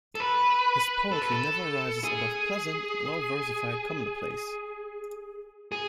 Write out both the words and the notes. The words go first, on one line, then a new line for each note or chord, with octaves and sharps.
His poetry never rises above pleasant and well-versified commonplace.
A4
B4
A4
B4
A4
G#4
G#4